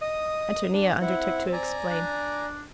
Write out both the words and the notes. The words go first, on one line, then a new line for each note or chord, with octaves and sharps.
Antonia undertook to explain.
D#5 D#6
D4
C4 E4 F#5
D5 G#5 A#5
D4